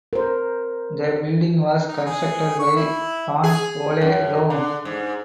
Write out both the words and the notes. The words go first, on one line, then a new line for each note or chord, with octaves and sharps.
The building was constructed by Hans Ole Blom.
A#4 C5
D#4
G#4
C#6
E4
G#4
F#2
D3
G#2